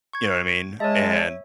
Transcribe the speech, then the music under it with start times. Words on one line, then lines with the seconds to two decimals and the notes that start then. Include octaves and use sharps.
you know what I mean, and
0.13 C#6 G#6
0.80 G#3 C#5 E5 A5